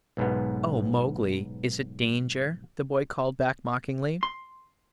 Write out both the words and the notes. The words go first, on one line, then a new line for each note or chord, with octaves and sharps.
"Oh, Mowgli, is it danger?" the boy called back mockingly.
B1 G#2 B3
C6